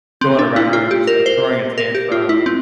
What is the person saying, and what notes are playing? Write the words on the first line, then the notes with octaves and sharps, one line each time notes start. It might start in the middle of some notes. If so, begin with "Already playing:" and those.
going around and just, like, throwing a tantrum,
C4
D4
E4
F4
G4
A#4
C5
A#4
G4
F4
E4
C4